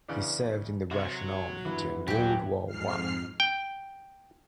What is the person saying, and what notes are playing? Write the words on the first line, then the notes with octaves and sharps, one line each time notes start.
He served in the Russian army during World War One.
E2 C#3 D4
C3 F#4 C#5
G1 E3 B3
D#1 F#3 G4 G5
F2 G#2 F6 C7
G5